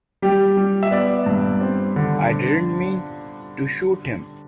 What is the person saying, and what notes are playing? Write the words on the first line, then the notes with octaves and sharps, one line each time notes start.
I didn't mean to shoot him.
G3 G4
G3
E5
B3 D5
G2
C4
D3